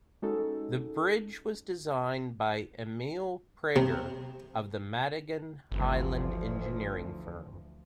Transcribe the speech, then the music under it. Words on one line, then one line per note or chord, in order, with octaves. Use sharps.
The bridge was designed by Emil Praeger of the Madigan-Hyland engineering firm.
G#3 C#4 D#4 F#4 A4
C3
G1 D2 E3 F3